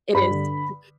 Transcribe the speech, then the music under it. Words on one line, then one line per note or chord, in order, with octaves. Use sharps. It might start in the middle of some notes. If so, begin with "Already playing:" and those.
It is.
G2 B5
D3